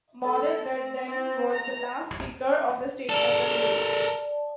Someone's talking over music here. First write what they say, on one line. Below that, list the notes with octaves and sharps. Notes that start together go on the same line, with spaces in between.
Madot Dut Deng was the last Speaker of the State Assembly.
A4
C4
C4
A#5
A4 A#4 D5 A5